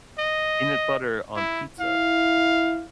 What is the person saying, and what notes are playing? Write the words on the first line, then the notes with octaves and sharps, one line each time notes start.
Peanut butter on pizza?
D#5
E4
E4 F5